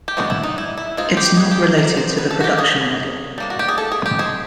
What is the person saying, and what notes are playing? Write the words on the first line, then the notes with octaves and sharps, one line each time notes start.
It's not related to the production model.
G4
G#3 B3 D4 F#4
E4
D#4
E4
E4
G#3 C4 D#4 F4
G4
G#4
G4
A#4
F#3 B3 D4 A#4
C5
B4
A4
F#4
G4
G3 A#3 C#4 G#4
G3 A#3 D4
F#4
G4
G#4
A4
G#4
G4
G#3 C4 D#4 G#4